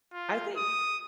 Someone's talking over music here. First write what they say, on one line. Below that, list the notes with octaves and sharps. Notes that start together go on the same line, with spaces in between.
I think
F4
D#6